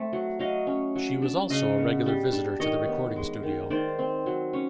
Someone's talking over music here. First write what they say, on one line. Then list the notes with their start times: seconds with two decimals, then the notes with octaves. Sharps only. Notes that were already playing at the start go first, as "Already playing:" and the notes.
She was also a regular visitor to the recording studio.
Already playing: A3 C4
0.13 F#3
0.39 F#3 D#5 F5
0.67 C#4
0.96 F#3
1.22 D4
1.50 C#3 D#5 F5
1.78 B3
2.06 G3
2.32 D4
2.60 D#3 C#5 D#5
2.88 B3
3.16 G#3
3.43 D#3
3.70 D#3 C5 D5
3.99 C4
4.26 F#3
4.53 C#4